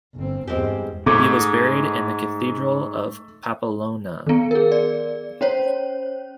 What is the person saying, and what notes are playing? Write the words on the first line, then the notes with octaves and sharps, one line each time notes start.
He was buried in the Cathedral of Pamplona.
G1 C4
E2 G2 G#3 C4 G4
G#2 A3 D6
D#3 B3
G#4 A#4
D5
C#4 C5 C#5